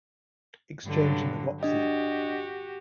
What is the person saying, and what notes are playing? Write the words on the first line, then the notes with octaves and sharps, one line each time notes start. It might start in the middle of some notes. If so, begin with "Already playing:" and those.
Exchange, and The Roxy.
G2 D3 F#3
D4 F#4 G4 D#5